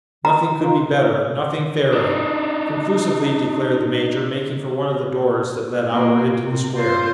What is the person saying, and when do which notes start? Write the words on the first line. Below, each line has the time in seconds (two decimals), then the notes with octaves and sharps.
"Nothing could be better--nothing fairer," conclusively declared the major, making for one of the doors, that led outward into the square.
0.25 A#5
0.61 D#4 F4
1.93 D4 D#4
5.88 A#2 A#3
6.40 C3
6.74 F4 C5